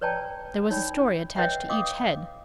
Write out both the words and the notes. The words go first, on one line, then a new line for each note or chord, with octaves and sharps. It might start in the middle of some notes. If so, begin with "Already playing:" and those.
There was a story attached to each head.
B4 C#5 D5 G5 A5 A#5
D#4 C#5 D5 G5 B5
B4 C#5 D#5 E5 F#5 G5
D#5 F5 G5 D6 D#6